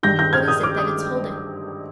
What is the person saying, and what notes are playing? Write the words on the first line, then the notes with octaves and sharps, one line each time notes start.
"What is it that it's holding?"
G2 D#3 G6 A#6
G6 A#6
F6 G#6
D#6 G6
D6 F6
D#6 G6